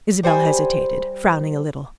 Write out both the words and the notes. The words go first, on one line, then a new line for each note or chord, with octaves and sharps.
Isabel hesitated, frowning a little.
G3 C5 G5 G#5